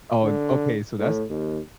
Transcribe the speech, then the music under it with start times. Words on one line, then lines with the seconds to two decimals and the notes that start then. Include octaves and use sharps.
Oh, an okay, so that's
0.23 D3
0.99 A2
1.30 D#2